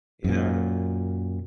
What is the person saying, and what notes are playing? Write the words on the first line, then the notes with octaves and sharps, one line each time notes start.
you know.
F#2 A#2